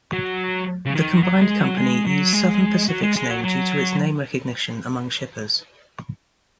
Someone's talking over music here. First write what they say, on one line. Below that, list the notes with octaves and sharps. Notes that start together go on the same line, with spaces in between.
The combined company used Southern Pacific's name due to its name recognition among shippers.
F#3
C#3
D#3
F#3
G#3
F#3
G#3
F#3
G#3
F#3
G#3
G#3
F#3
F#3